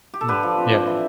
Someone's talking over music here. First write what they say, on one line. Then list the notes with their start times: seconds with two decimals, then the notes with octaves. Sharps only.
Mhm, yeah.
0.14 G4
0.21 A4
0.28 D3 G4 B4
0.43 F3
0.58 C4
0.72 D3
0.87 E3